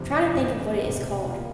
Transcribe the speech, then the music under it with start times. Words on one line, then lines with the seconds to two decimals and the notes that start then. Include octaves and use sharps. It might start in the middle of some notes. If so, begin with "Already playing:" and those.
trying to think of what it is called.
Already playing: G1 F2 C3
0.35 A1 G2 D3
0.82 E1 D2 C3
1.29 F3 A#3 F4